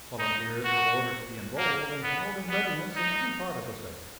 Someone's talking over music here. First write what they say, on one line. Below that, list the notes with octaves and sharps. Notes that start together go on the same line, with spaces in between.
Volunteers were ordered to be enrolled and held in readiness in every part of the State.
D#4
F#4
A#3
B3
B3
D#4